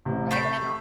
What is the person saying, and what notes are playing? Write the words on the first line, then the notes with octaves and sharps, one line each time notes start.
Right, and hon
A1 C3
A3 B5 G6 C7